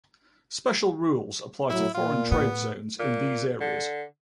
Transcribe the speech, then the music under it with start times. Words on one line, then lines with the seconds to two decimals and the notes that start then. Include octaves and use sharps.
Special rules apply to foreign trade zones in these areas.
1.70 A2 F#3 E4
1.94 A#2 F4
2.31 A2 B3
2.99 A#2
3.60 D3